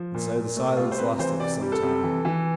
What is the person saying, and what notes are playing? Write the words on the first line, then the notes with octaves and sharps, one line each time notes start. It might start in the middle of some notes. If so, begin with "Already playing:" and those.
And so the silence lasted for some time.
Already playing: F3
A#2
A#2
A3
G3 F4
C5
C3 B4
E3 C5
C3 D5
G3
A4
C3
E3
E3